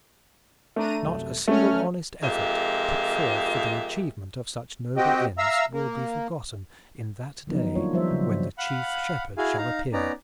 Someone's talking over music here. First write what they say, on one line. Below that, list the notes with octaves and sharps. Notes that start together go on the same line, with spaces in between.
Not a single honest effort put forth for the achievement of such noble ends will be forgotten in that day "when the Chief Shepherd shall appear."
A3 D4 A#5 D#7
C2 F#2
F#3 A3 C#4 F6
F2 A#2 G#3 G4 E5 F5
C4 F#4 G4 D#5 G5
E5 F5 A#5 E6
A#3
D#3 F3 F#3 B3 D#4
G3 A#3 D4 F4 C#5
F3 G3 B3 C5 E5
C#3 F#3
F5 F#5 B5
E4 F#4 G#4 F5 G#5
D#4 F5 A#5
B3 C#4 D#4 D5 A#5